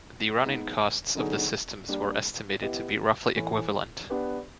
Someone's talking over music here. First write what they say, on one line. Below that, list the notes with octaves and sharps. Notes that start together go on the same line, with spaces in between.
The running costs of the systems were estimated to be roughly equivalent.
G#3 B3 D#4
D3 F#3 B3 D#4 G#4
G3 A#3 D4 G4
B3 E4 G4 B4 D#5
A2 E3 A3
B3 D4 G4 B4